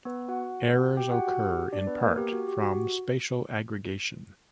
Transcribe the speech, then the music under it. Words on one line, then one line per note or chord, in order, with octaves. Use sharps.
Errors occur in part from spatial aggregation.
B3 B4
F#4 F#5
G4 G5
F#4 F#5
F#4 F#5
G4
D4 D5
B3 B4
A#3 A#4
G4
F#4
G4
F#4